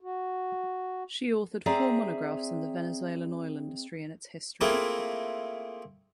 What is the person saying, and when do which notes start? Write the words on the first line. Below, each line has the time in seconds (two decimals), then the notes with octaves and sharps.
She authored four monographs on the Venezuelan oil industry and its history.
0.01 F#4
1.66 C4 G#4 D5 E5 A#5
4.61 A3 A#3 C4 E4 F4 G#4